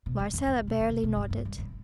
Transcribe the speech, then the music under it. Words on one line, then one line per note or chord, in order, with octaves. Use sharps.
Marcella barely nodded.
B2
F#2
E2
F#2
B2
D3
C3
B2
G2
G2
G2
F#2